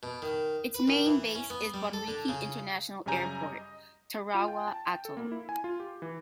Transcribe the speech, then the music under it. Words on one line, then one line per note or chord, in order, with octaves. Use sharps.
Its main base is Bonriki International Airport, Tarawa Atoll.
B2
D#3
B4
D#3
E3
C#4
B3
G3
A4
D3
C#3
F#2 C#3 G3 G#5 A#5 G6
D#5
F4
G5
A5
G5
A4
A#3
E4
G#5
F4
G4
E3